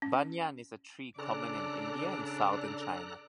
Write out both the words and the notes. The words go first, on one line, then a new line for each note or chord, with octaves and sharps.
"Banyan" is a tree common in India and southern China.
C#4
C#3 D4 A4 D5 A#5 F#6